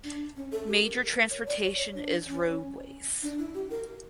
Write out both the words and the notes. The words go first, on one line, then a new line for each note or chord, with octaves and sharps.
Major transportation is road ways.
D4
C#4
A4
G4
A#4
C#5
D5
C#5
C#5
D4
C#4
D4
E4
G4
A#4